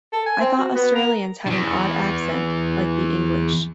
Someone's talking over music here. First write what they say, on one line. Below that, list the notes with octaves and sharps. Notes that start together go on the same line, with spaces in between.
I thought Australians had an odd accent, like the English.
A4
G#5
C4
F#4
B3
A#4
E2 G2